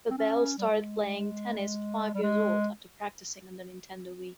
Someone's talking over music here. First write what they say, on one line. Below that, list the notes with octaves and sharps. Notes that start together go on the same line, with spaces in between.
Babel started playing tennis at five years old after practicing on the Nintendo Wii.
C4
C#4
G3
G#3
G3
G#3